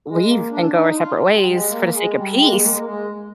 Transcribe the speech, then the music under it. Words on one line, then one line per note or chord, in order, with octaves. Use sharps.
leave and go our separate ways for the sake of peace,
G#3
G#3
A#3
D4
D#4
F4
G3
G3
G#3
A#3
G#3
G#3
G3
G#3
A#3
G#3
A#3
G#3
A#3
G#3